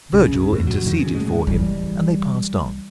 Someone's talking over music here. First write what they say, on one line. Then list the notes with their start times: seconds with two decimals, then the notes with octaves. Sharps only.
Vergil interceded for him, and they passed on.
0.13 B1 C#3
0.52 F2 A2 C#3
0.67 E2 A#2 F#3
0.85 F2 D#3
0.99 C#3
1.15 A2 G#3
1.47 E3 G3